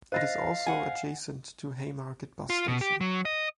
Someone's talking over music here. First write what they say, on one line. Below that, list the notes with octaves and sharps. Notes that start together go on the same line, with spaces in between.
It is also adjacent to Haymarket bus station.
C5 D#5 F5 F#6 A6 A#6
F#5 G#5
F4
B2
G4
F#3
D#5